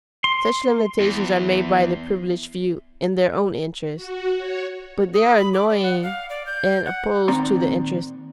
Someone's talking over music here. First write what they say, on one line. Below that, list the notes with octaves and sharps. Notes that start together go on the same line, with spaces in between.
Such limitations are made by the privileged few in their own interest, but they are annoying and opposed to the interests of the many.
C6
E2
F#4
C#5
D#6
B5
D6
D5
F#5
F5
D5
G6
F#5
A#2 D#3 C4 D5 A#5 C6